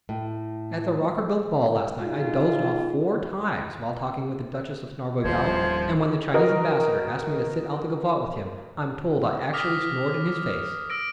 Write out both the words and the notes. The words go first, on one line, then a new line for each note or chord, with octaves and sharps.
At the Rockerbilt ball last night I dozed off four times while talking with the Duchess of Snarleyow, and when the Chinese Ambassador asked me to sit out the gavotte with him I'm told I actually snored in his face.
A2
G#3 D#4 F4 F#4
D#1 A2 F3 E4 C5 G#6
F#4 A#4 B4 D#5
D6 D#6 F6 A#6 B6
E6 A#6 D7